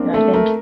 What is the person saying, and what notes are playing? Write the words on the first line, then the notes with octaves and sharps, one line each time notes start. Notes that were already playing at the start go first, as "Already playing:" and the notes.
know, I think
Already playing: A#3 C4 D4
A3 A4
A3 A#4